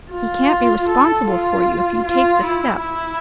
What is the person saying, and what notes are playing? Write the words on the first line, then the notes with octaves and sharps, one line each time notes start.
He can't be responsible for you if you take this step.
F4
A4
F4
F4
E4
E4